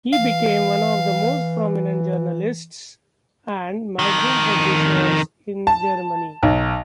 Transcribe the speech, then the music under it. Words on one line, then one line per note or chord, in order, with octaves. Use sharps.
He became one of the most prominent journalists and magazine publishers in Germany.
E3 F5
F2 D#3
A5
B1